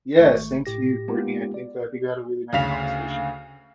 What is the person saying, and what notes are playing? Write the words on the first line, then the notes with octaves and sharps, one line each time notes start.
Yeah, same to you, Courtney, and I think that we got a really nice conversation.
G#1 A3 C#6
A2 G4 A#6
G#3 A#3 B3 D#4 F4 G4
D5
D2 C#3 F5 B6 F7